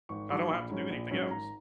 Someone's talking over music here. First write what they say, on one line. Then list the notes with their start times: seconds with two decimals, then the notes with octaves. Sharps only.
I don't have to do anything else.
0.09 G#1 C#6
0.29 G#2 D#3 F#3 C#6
0.50 A#1 B5
0.70 G#2 F#3 C#4
0.90 A#1
1.11 G#2 F#3 C#4
1.31 G#1 A#5